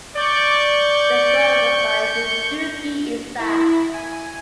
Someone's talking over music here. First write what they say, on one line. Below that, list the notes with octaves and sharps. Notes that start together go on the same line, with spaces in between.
The throw was by Dougie Isaacs.
D5 C#6 G6
E4
G#5